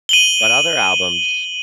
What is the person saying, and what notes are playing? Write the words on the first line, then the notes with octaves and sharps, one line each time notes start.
But other albums,
D#7 F#7 G7